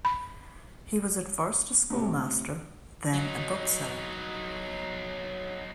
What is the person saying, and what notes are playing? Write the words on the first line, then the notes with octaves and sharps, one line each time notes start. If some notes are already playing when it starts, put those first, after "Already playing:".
He was at first a schoolmaster, then a bookseller.
B5
A2 C3
F#3 D#4